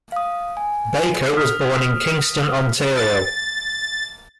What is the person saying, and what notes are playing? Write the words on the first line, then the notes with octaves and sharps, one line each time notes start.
Baker was born in Kingston, Ontario.
F5 D#6
G#5
D#6 F6 B6
A6